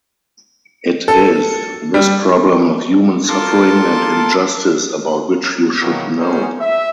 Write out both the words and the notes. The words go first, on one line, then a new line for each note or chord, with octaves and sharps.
It is this problem of human suffering and injustice about which you should know.
A4
G3
F4 A4 A#4 A5 C6 D6
B2 D#3 E3 F#3 A#3 B3
B3 C#4 D#4 G#4 A#4 C5
E5